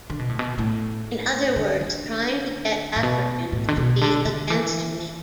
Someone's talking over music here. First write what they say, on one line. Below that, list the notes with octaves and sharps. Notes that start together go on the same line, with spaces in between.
In other words, trying to get Africans to be against me.
D3
B2
A2
B2
A2
D3
D3
A2
B2
A2
D3
B2
D3
D3
E3